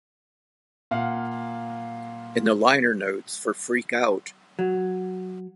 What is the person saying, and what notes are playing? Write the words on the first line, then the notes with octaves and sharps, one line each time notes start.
In the liner notes for Freak Out!
A#2 F5 F#5
F#3